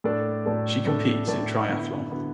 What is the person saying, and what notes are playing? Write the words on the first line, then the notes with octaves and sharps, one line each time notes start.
She competes in triathlon.
A2 A3 D4 A4 D5
A2 A3 D4 A4 D5
A2 A3 D4 A4 D5
A2 A3 D4 A4 D5
D3 B3 E4
D3 B3 E4